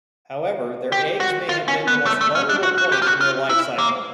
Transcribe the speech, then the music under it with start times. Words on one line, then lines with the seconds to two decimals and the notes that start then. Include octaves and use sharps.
However, their eggs may have been the most vulnerable point in their life cycle.
0.92 G4
1.20 F#4
1.49 F4
1.68 C#4
1.88 B3
2.06 A3
2.21 A3
2.35 C#4
2.49 D4
2.63 F#4
2.78 F#4
2.92 G4
3.02 F4
3.07 F#4
3.21 F4
3.49 E4
3.78 A#3